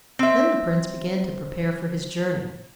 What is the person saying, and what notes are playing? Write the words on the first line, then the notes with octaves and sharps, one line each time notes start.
Then the prince began to prepare for his journey.
C4 E5